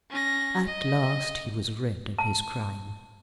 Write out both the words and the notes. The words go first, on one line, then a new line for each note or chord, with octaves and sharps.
At last he was rid of his crime.
C#4 A#6
D#5
A5